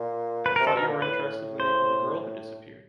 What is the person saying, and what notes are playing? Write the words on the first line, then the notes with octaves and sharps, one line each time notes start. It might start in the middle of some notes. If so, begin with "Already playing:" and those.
I thought you were interested in the name of the girl who disappeared.
Already playing: A#2
B4
C3 A#4
A4
B2 A#4
A#2
A2 B4
C5